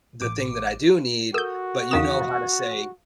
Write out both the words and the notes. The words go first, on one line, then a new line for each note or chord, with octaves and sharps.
'The thing that I do need,'" but you know how to say
A1 D6
F#4 A4 A#4 E6 G6
E2 D#3 F5 D#6 E7